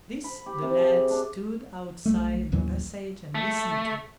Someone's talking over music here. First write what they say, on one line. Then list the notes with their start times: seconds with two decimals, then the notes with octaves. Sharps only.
This the lad stood outside in the passage and listened to.
0.24 B5
0.46 G4
0.62 C3
0.77 G#4
1.10 D4
2.06 B1 G3 A3
2.52 A1 D#2 E3 F#3
3.35 A3